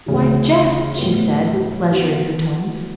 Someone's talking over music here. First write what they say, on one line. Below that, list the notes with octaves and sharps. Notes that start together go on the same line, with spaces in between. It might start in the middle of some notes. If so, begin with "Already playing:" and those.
"Why, Jeff," she said, with pleasure in her tones.
D2 C#3 E3
A2 G3 B3
E3 B3 F#4